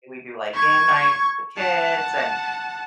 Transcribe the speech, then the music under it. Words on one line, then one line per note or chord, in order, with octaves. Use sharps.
we do, like, game night with the kids and
C#6 G#6
F#5 A5